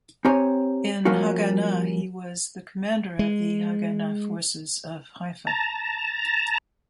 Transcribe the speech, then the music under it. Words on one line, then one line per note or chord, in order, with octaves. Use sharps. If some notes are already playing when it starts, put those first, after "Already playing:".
In Haganah he was the commander of the Haganah Forces of Haifa.
C4 G4 C#5 G#5 A#5
F3 G3 A#3 C#4 F4 F#4
G#3
A5 A#5